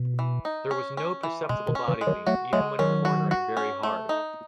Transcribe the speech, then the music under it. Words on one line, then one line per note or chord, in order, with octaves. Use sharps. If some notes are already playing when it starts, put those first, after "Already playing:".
There was no perceptible body lean, even when cornering very hard.
Already playing: B2
E3
D#4
C#4
C#4
E3
B2 G#3
B2 D#3
C#4
C#3 E3
G#3
D#3 F#3
F#3 A3 F#4
F#3 G#3 A3
D#3 F#3 C#4
F#4
F#4
C#4
A3
D#4